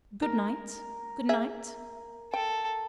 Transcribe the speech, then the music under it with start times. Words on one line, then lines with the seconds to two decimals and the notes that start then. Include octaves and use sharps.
Good-night. Good-night.
0.22 A#4
1.29 G#4 E5
2.34 A4 G5